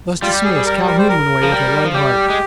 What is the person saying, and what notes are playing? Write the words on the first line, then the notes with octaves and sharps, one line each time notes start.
Thus dismissed Calhoun went away with a light heart.
G3 F4
G4
G#4
G#4
A#4
A#4
C5
A#4
F3
G3
F3
G3 G4
G#3